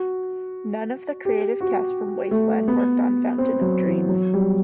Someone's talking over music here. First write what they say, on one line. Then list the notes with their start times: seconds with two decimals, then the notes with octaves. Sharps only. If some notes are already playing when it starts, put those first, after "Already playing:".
None of the creative cast from "Wasteland" worked on "Fountain of Dreams".
Already playing: F#4
1.25 G4
1.60 F#4
2.31 A3
2.68 B3
3.38 C4
3.61 F#3
3.85 E3
4.09 F#3
4.34 G3